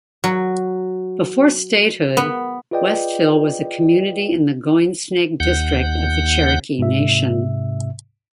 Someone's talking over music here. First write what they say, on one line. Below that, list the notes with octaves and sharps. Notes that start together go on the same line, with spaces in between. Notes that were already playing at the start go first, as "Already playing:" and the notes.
Before statehood, Westville was a community in the Goingsnake District of the Cherokee Nation.
F#3
B3
F4 G#4 B4 D5 D#5 G5
D#2 F#5 G6
G#2 C3 E5